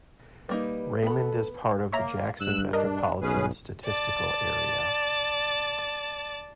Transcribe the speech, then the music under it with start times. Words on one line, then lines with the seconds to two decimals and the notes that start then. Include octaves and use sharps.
Raymond is part of the Jackson Metropolitan Statistical Area.
0.49 G3 A#3 D#4 B4
1.02 B3 A4 B5
1.92 A#3 C#5 E5 A#5
2.41 G2 E6 F#6
2.73 D4 A#4 D#5
3.21 B1 C#4 G#4 B4
3.85 D5 A5